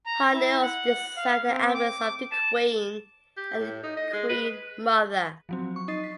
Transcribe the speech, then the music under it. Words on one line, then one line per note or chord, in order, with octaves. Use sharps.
Hartnell also designed the outfits of The Queen and The Queen Mother.
A#5
E4
F#5
F5
C4
D6
A5
G4
A2
D#4
D#5
G#3
B4
F3 F#3 C4
C#6
D#4 D#5 A6 C7
B6